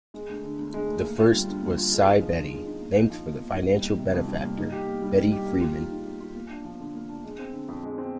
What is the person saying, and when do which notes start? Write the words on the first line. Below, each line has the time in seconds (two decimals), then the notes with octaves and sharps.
The first was Si Betty, named for the financial benefactor Betty Freeman.
0.14 G#3
0.29 D2
0.44 D3
0.59 D2
0.74 G#3
0.88 D2
1.03 A#3
1.18 F4
1.33 G3
1.47 D3
1.62 A#3
1.77 F4
1.92 G#3
2.07 D#4
2.21 F3
2.36 D3
2.51 G#3
2.66 D#4
2.81 A#3
2.95 D#4
3.10 F3
3.25 G#2
3.40 A#3
3.55 D#4
3.69 G3
3.84 A#3
3.99 C3
4.14 F2
4.28 G3
4.43 A#3
4.58 D#4
4.72 G4
4.87 A#3
5.02 G3
5.17 D#4
5.32 G4
5.46 A#3
5.61 F4
5.76 D#3
5.91 G#2
6.06 A#3
6.20 F4
6.35 A#3
6.50 D4
6.65 F3
6.79 D3
6.94 A#3
7.09 D4
7.24 G#3
7.39 C4
7.53 D3
7.68 F2
7.83 G#3
7.98 C4